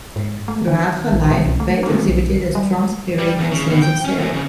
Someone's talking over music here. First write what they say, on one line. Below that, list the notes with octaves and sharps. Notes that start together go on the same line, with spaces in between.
Throughout her life, Bet exhibited a strong spirit and sense of self.
G#2
A3
D#3
A#1
B2
C2
A3
A3
B1
G3
G3
E2
C#3
B2
G5
C#4
E2
C#3